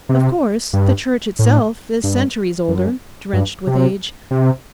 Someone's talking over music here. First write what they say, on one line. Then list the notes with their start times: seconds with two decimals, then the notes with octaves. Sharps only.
'Of course, the church itself is centuries older, drenched with age.
0.09 C3
0.73 G2
1.39 A2
2.04 G2
2.68 F#2
3.33 G2
3.67 C3
4.31 C3